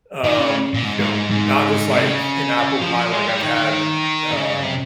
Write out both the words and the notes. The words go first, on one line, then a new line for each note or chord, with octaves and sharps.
um, you know, not just like an apple pie, like, I've had, um,
D#3
C#3
A#2
G#2
G#2
G#2
C3
D#3
C#3
F3
G#3
G3
D#3
C#3
C3